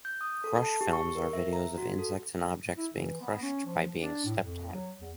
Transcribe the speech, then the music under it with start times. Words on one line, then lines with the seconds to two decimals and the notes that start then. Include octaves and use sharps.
Crush films are videos of insects and objects being crushed by being stepped on.
0.05 G6
0.21 D#6
0.44 A4
0.62 A5
0.81 G4
0.93 C#6
1.15 A#4
1.33 E5
1.53 A#5
1.78 F#4
1.99 A4
2.77 E4
2.94 E3
3.21 B3
3.42 C#4
3.66 F3
4.02 D4
4.25 A2
4.41 F2
4.72 F#3
5.01 E2